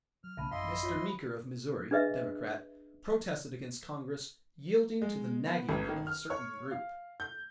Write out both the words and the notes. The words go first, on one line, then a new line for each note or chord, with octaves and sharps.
Mr. Meeker of Missouri, Democrat, protested against Congress "yielding to the nagging of a certain group."
F#3 F6
B1 C#3 A3 E5 A5 B5
A1 F#2 E4 D#5 F5 C6
F4 C#5
C5 B5
D4 G#4 B4 D#5 E5
G#3
B3
A1
D#3
F6
C#5
F5
G6